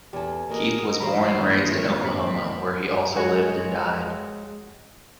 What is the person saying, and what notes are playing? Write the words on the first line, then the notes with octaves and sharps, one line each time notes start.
Keith was born and raised in Oklahoma, where he also lived and died.
E2 G4 A4 G#5
A#3 F#4 G#4 A#4 D#5
G2 E3 F#3 C5 F5 A#5 B5
D#3 G#3 A#3
A2 F4 A#4 C#5 E5 C#6
C4 B5
G#3 F#4 C#5